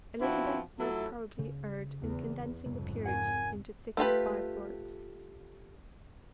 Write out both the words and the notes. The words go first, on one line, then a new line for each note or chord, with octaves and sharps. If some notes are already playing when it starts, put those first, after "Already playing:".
Elizabeth most probably erred in condensing the peerage into sixty-five lords.
F3 B3 C4 D4 E4 F#4
F#3 A3 E4 F4 A4
C#3
E2
C2 F2 G#2 C#3
A#4 F#5 G#5
A3 F4 G4 B4